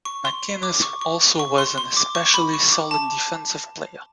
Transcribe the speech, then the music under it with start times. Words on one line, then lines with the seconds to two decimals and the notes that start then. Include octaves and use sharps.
McInnis also was an especially solid defensive player.
0.05 C#6
0.25 C6
0.63 D6
0.82 C#6
1.01 C#6
1.39 C#6
1.58 C6
1.78 C6
1.97 D6
2.15 C#6
2.34 B5
2.54 C#6
2.72 D6
2.91 A5